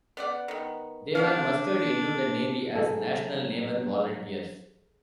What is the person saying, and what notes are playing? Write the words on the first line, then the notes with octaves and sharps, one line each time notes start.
They were mustered into the Navy as National Naval Volunteers.
B3 D5 F#5
D#3 B3
D#3 B3 D4 F5
F#3 G#4 A4